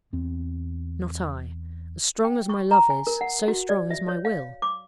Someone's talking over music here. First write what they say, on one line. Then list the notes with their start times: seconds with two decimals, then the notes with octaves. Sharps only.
Not I. As strong as my love is, so strong is my will.
0.13 E2 C4
2.25 G5
2.49 C#6
2.71 A#5
2.90 G#5
3.07 A#4
3.21 F#5
3.48 F#4
3.69 D5
3.91 E5
4.08 C#5
4.25 F5
4.62 D6